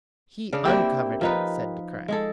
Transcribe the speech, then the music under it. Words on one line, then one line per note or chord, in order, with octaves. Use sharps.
"He uncovered it," said De Craye.
C#3 C#4 D4
A#3 C4 D4 E4 G4
F3 D#4 B4
G#3 G#4 A4